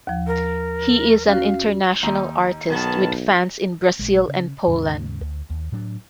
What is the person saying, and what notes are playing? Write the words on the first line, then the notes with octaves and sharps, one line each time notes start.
He is an international artist with fans in Brasil and Poland.
D#2 F3
A#4
C#4 F#4 F5
D#2 D#4 D#5
B1 D#3 B3 A5
A#1 G#3
C#3
D#2 G#2 C#3
D2
D#2
A2 F#3 D4